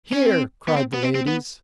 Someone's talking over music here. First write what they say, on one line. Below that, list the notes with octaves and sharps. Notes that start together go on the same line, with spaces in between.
"Hear!" cried the ladies.
C#4
C4
B3
C4
B3
C4
C4
B3